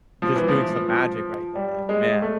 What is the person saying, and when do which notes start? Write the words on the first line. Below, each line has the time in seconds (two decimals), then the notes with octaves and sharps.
just doing some magic right there, like, man.
0.22 F3
0.36 E3
0.48 F3
0.89 F3
1.55 G3
1.89 G#3
2.22 A3